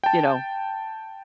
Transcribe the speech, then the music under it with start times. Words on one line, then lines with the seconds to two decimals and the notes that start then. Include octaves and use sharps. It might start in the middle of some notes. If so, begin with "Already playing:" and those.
you know,
0.04 G5 A5